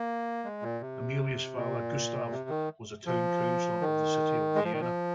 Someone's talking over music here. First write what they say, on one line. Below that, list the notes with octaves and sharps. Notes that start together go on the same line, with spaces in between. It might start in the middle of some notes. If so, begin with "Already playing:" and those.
Emilia's father, Gustav, was a town councillor of the city of Vienna.
Already playing: A#3
G#3
A#2
C3
A#2
C3
D#3
F3
D#3
G#3
F3
D#3
F3